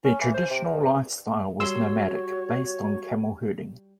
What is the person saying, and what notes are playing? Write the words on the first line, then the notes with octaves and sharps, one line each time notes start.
Their traditional lifestyle was nomadic, based on camel herding.
C#4
E3
C5
C3
E2
G2
G3 F#4 C#5 C6 E6